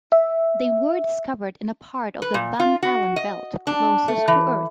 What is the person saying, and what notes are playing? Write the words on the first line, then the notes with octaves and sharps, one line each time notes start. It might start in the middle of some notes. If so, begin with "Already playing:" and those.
They were discovered in a part of the Van Allen belt closest to Earth.
E5
B4
A#2
F4
F#4
D#5
D4
A3
E3